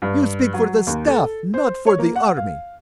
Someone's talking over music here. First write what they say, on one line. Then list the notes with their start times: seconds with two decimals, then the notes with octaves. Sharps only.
"You speak for the Staff--not for the Army!"
0.02 G2
0.53 F#3
0.87 D#2
1.07 A4
1.54 C5
1.86 C#5
1.99 A#3
2.15 F#5
2.37 F5